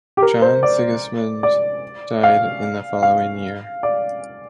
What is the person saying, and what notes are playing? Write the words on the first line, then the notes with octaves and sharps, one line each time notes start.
John Sigismund died in the following year.
G4
A#4
C5
D5
D5
F5
F5
D5